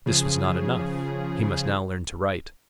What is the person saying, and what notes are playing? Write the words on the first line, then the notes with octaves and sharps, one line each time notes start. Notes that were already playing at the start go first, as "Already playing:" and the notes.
This was not enough--he must now learn to write.
C#3 F3 G#4